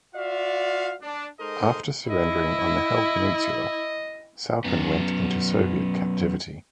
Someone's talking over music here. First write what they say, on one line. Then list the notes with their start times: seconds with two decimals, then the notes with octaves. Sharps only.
After surrendering on the Hel Peninsula, Saucken went into Soviet captivity.
0.15 F4 F#4 D5 E5 F5
1.02 D4
1.39 G#3 D#4 A4 A#4 C5 D#5
2.10 E4 D#5
4.65 F#2 B3